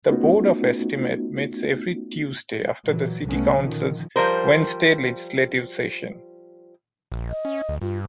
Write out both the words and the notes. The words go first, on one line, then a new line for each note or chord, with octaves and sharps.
The Board of Estimate meets every Tuesday after the city council's Wednesday legislative session.
A3 B3 C#4 D#4 F4 F#4
A#2 E3 F#3
C2 G#3 A3 B3 C#4
A#2 D3 D#3 F3
F3 G3 A#4 C5
A#1
D#5
C#4
D2
G2 F4